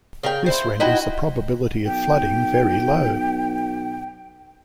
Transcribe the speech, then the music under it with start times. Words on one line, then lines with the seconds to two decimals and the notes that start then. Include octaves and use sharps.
This renders the probability of flooding very low.
0.23 C#3 A#4 F5 G5
0.46 E4 C5
0.80 D#4 E4 F#4 G5
1.86 B1 G5